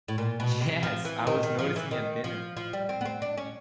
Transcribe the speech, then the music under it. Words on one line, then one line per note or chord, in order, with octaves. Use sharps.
Yes, I was noticing at dinner.
A2
A#2
B2
C3
F3
E3
D#3
D#3
F3
E3
D#3
F3
F3
G3
C4
B3
C4
D4
C#4